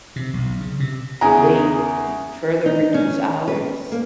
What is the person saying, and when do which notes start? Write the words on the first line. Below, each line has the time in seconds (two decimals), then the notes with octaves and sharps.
they e further reduce hours?
0.16 C3
0.33 B1
0.60 C#3
0.80 C3
1.21 E2 C#3 G#5 A#5
2.66 D#4
2.94 C#4
3.48 B4
3.92 A#3